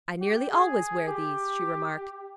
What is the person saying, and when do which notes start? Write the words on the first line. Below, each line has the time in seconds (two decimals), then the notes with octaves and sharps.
"I nearly always wear these," she remarked.
0.21 G4
0.50 G#4
1.07 G4